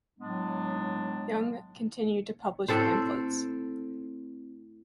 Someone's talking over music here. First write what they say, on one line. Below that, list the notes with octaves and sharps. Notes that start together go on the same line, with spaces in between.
Young continued to publish pamphlets.
A2 F#3 G#3 B3 D4
A2 C4 A4 C5